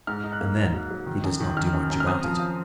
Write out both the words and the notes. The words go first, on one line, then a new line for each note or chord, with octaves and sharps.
And then he does not do much about it.
G#2 F6
D#4
F#6
A#3
D#4
F#3
F#3
D#3
F#2
D#3
D#3 F6
F#2
F#2
F6
C4 D#6
F3
F3